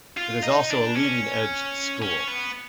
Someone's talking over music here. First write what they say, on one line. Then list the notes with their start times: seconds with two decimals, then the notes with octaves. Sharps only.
It is also a Leading Edge school.
0.17 F4
0.43 D#4
0.70 D4
0.96 C#4
2.02 C#4
2.28 B3